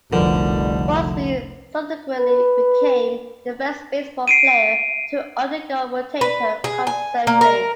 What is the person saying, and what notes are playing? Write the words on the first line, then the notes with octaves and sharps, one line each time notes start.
Busby subsequently became the first baseball player to undergo rotator cuff surgery.
F1 C2 B2 D3 F3 G3 A#4
B4
C7 D7 D#7
B4
G#4
G#5
A#3
A#4